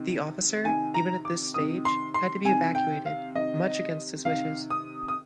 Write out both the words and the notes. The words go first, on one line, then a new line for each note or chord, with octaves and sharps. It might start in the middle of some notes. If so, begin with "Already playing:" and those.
The officer even at this stage had to be evacuated much against his wishes.
Already playing: C3 D#3
C3 D#3 G#5
A#5
D6
C3 D#3 D#6
C6
C6
C3 D#3 G#5
G5
F5
C3 D#3 D#5
C3 D#3 F5
D#6
D#6